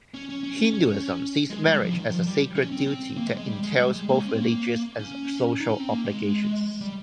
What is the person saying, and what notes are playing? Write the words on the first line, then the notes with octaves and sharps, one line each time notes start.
Hinduism sees marriage as a sacred duty that entails both religious and social obligations.
C#4
C#4
C#4
C#4
C#4
G#3
G3
F3
D#3
F3
G3
C#4
C4
C4
A#3
G#3
G#3
G3
G#3
G3
G#3
A#3
C#4
C4
A#3
C#4
D#4
C#4
C4
A#3
G#3
G3